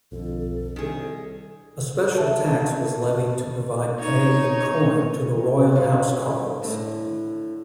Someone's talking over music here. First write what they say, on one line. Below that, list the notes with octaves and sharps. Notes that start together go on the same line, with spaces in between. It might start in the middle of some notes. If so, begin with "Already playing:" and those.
A special tax was levied to provide pay in coin to the royal housecarls.
B1 F2 D3 A4
C2 D#3 D4 G#4
E5 A5
D#4 C#5
C3 G3 C#4 F4 A4 C5
A2 D3 A3